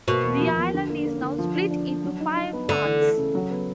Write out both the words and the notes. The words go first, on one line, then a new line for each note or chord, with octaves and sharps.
The island is now split into five parts.
B2 A#3
E2
F3
E2
D3
A#3
A#3
D3
F3
D4
D4
D4
F#3
D#4
D#4
B3
D3 A3
E3
A3
C#3
F#3
B3